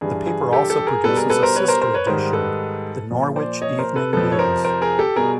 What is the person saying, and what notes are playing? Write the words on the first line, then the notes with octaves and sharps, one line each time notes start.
The paper also produces a sister edition, the "Norwich Evening News".
G2 E3 G3 G#4
G#4
G4 A4
G4 A4
G#4 A#4
B2 G3 A4 B4
G#4 A#4
A4 B4
A#4 C5
B4 C#5
A#4 C5
A#4 C5
B4 C#5
G#2 D#3 G3 A#4 C5
A4 B4
A#2 F3
C5 D5
C#5 D#5
A#4 C5
A4 B4
F2 C3 F3 A4 B4
C#5
A#4 C5
A#4 C5
G#4 A#4
G4 A4
B2 G3 G#4 A#4